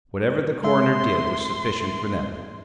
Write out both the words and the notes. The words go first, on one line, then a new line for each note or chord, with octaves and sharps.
Whatever the coroner did was sufficient for them.
G#3 E5 C6